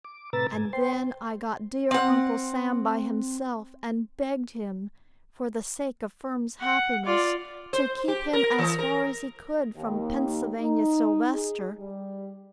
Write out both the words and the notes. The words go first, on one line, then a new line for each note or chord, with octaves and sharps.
And then I got dear Uncle Sam by himself, and begged him, for the sake of Firm's happiness, to keep him as far as he could from Pennsylvania Sylvester.
D6
A2 C3 B4 A#5 E6 A6
G#2 G#5
C5 G5 C6
C4 F#5
F#5
F4 D5
C5
G4
A#4
E3
A#4
D#2
D#4
G#4
G3